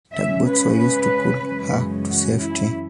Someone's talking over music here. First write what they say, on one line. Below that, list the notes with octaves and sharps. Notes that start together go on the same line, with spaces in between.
Tugboats were used to pull her to safety.
C#3 G#3 C#4 E5
B4
B4
F#2 C#3 E3 G#3 C#4
F#4
E4